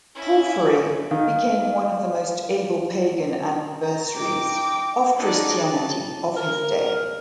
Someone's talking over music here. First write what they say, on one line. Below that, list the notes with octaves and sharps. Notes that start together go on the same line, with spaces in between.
Porphyry became one of the most able pagan adversaries of Christianity of his day.
C#4 E4
D#3 F5
A#5
D#4 G5 D6
C#4 D#4 F#4 G#4 D5 A5
A5
A#4